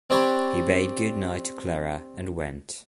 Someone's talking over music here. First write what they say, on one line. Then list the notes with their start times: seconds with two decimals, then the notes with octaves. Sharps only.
He bade good-night to Clara, and went.
0.10 C4 D4 G4 C#5 A5 B5